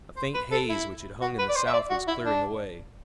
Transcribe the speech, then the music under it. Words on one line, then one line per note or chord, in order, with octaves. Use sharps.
A faint haze which had hung in the south was clearing away.
C5
B4
A4
E4
F#4
B4
D5
C5
E5
D5
F#4
E4
D4